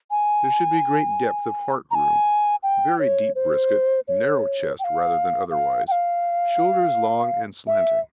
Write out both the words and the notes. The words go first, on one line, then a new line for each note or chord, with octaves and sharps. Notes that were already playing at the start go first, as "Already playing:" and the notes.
There should be great depth of heart room, very deep brisket, narrow chest rather than otherwise, shoulders long and slanting.
G#5
A#5
G#5
G5
C#5
C5
C#5
G5
F5
F5
G5
F5
E5